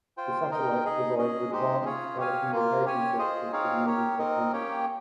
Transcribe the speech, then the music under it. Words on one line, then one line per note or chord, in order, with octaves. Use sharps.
The satellite provides advanced telecommunication services to the Indian subcontinent.
F4 C5 G5
D#4 A#4 D#5 G5
D#4 G#4 D#5
C#4 G#4 D#5
G#3 D#4 G4 C5 D#5
C#4 F4 G#4 C#5
G4 C#5 F5 G#5
A#3 F4 A#4
C#4 G4 C#5 G#5
F4 G#4 C5 D#5
C4 D#4 G#4 C#5 F5
G4 A#4 C#5
C4 D#4 A#4 D#5
A#3 C#4 G4 C#5 G5